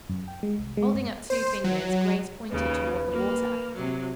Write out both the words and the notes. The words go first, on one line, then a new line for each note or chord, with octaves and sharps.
Holding up two fingers, Grace pointed toward the water.
F#2
G5
G#3
C2
G#3
G2
C5
F#3
D#2 C#3 B4
A#3
C3 F#3